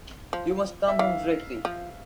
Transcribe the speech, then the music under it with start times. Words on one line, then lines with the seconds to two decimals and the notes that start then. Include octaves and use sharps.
You must come home directly.
0.33 F3
0.88 E5
0.99 E3 F5
1.65 F3